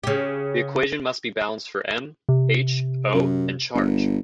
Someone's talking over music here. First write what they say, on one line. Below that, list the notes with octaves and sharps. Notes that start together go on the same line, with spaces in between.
The equation must be balanced for M, H, O and charge.
C#3 G4
C3
F#2
G1